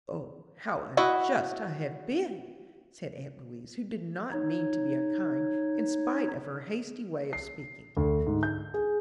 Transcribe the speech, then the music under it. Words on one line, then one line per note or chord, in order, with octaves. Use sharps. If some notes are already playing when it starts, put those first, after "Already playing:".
"O, how unjust I have been!" said aunt Louise, who did not mean to be unkind, in spite of her hasty way of speaking.
E4 F#4 D#5
D#4 C#5
C7
D2
G#2
G6
G#4